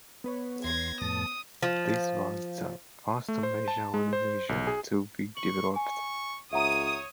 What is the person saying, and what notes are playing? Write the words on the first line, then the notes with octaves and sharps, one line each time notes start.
This was the first major oil region to be developed.
B3 B4 C#5
E2 C6 G#6 A#6
F2 A2 A5 D#6
F3
A3
C5
A5
G#3
C5
B1
G#4
C#6 F#7
G#5 C#6
C#2 C#5 E5 F#5 A#5 D#6